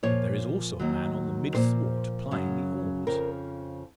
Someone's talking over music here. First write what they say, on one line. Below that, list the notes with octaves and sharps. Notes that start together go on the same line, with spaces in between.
But there is also a man on the mid thwart plying the oars.
A#2 F3 C#5
D#2 D#3 F#3
A#2 F3 C5
F#2 C#3 F#3
F2 C#3 F3 A#4